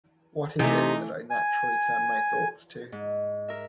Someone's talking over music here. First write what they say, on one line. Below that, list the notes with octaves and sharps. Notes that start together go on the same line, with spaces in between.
What is it that I naturally turn my thoughts to?
C3 E3 A3 D#4
G#5
G#2
A#4 E5